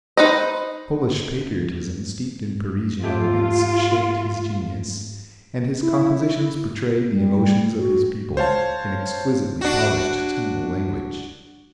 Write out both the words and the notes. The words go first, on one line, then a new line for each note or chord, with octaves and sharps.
Polish patriotism steeped in Parisian elegance shaped his genius, and his compositions portray the emotions of his people in exquisitely polished tonal language.
D#4 B4 C5 D#5
G#2 A3 F4 G4
E4
G3
F#4
C5 C#5 F5 A5
D4 F#4